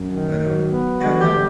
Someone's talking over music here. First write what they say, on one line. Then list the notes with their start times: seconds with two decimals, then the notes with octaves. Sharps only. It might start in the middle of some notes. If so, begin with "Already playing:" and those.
but, um Yeah, no
Already playing: F#2
0.14 D#3
0.42 F#3
0.71 B3
1.00 D3 F#4
1.19 G4
1.30 G3